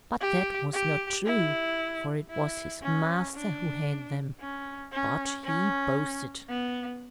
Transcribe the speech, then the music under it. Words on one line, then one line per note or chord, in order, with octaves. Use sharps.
But that was not true, for it was his master who had them: but he boasted.
G4
G4
E4
E4
C#4
D4
C#4
C#4
C#4
B3